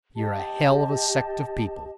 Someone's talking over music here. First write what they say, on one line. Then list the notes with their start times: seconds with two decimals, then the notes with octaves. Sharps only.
You're a hell of a sect of people.
0.15 G4 D#5 A5